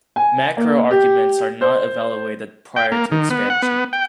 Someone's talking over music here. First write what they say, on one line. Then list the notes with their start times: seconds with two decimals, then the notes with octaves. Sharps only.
Macro arguments are not evaluated prior to expansion.
0.16 G#5
0.57 A#3
0.91 G4
1.61 C5
2.76 G5
2.92 A#3
3.12 D#3
3.30 B3
3.50 F#5
3.62 B3
3.93 G5